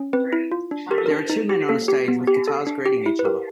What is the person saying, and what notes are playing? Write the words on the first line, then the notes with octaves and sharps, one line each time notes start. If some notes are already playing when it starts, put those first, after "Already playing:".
There are two men on a stage with guitars greeting each other.
Already playing: C#4
C4 B4
E4
F4
D4
G4 A#4
A4
D4 A#4
D#4
G4
A#3 A4
G4
B3
G4
A4
D4
G4
E4
B4
G4 A#4